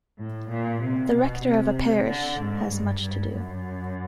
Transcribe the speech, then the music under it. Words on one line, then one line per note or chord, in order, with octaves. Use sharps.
The rector of a parish has much to do.
A2
A#2
C3
B2
C3
D3
G#2
G2
G2
F#2